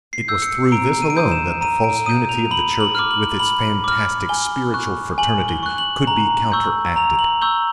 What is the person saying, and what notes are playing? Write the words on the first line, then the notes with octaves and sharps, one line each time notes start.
It was through this alone that the false unity of the Church with its fantastic spiritual fraternity could be counteracted.
C7
E6 G6
C#7
A#5 D7
D#7
D7
D#6 G6 D#7
E7
A#5 D#7
D7
D#6 G6 D#7
F7
B5 F#7
F#7
D6 F6
F#7
B5 F#7
D6 F6
G#5 G7
C#6 F#6
G#5 F#7
G7
C#6 F#6
F#7
A#5 F#7
C#6 E6 G6
A#5 F7
F#7
C#6 E6 G6 G7